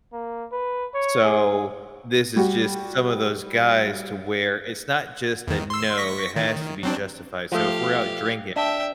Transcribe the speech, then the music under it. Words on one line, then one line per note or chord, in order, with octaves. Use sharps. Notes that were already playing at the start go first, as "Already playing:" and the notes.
So, this is just some of those guys to where it's not just a "no," it has to be justified. So if we're out drinking,
A#3
B4
C#5
G#4
G3 F#4
E2 D#3
C6 E6
C#6 A#6 B6
D#3
F#3 C4 D4
F3 A3 G4 F5
D4 E5 G5